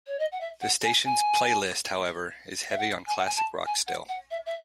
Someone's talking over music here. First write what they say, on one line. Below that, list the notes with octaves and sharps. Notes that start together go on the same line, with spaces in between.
The station's playlist, however, is heavy on classic rock still.
C#5
D#5
F#5
E5
F#5
G#5
G#5
E5
F#5
G#5
F#5
G#5
A5
G#5
F#5
F#5
E5
E5